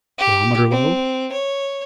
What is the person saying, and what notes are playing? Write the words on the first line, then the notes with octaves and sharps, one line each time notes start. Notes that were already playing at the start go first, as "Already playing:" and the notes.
Barometer low?
G4
C4
C#5